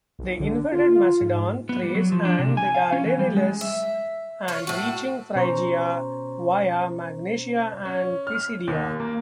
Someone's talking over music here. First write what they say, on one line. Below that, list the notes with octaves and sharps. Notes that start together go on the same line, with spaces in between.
They invaded Macedon, Thrace, and the Dardanelles, and reaching Phrygia via Magnesia and Pisidia.
B1
D3
F4
G#2
B3
G3
F#3
F3
D4
C3
G#5
F5
C#4
E3
G3
G#3
E5
F4 C#5
A2 F#4
B2 C#4 C5 A#5 C#6
C#4
F6
D#2
A#3